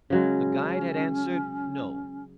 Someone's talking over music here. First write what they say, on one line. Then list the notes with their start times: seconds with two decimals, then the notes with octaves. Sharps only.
The guide had answered No.
0.10 C#3 F#3 G#3 C#4